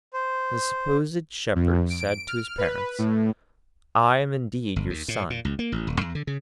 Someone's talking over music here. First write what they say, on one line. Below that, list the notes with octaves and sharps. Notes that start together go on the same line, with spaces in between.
The supposed Shepherd said to his parents, 'I am indeed your son.
C5
F2
D7
F6
B4
A2
G1
D#2
A2
A#2
C#2
A#3
A1
D#1
E2
D3
C#3